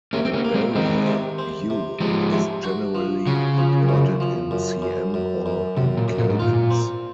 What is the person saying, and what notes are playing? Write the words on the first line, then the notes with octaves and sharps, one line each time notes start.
The barrier "U" is generally reported in cm or in kelvins.
C3 A#3 C#4
C4
A#3 C#4
A#3
G#3 C4
D#3 G#3 C4
C3
C4
C3
F3 G#3 C4
C3
F#4
F3
C#3 F#4
F3
F#2
F3
F#2
F#2
F#2
F#2
F#2 C3
A#2
F#2
A#2
G#2
A#2 F4
C4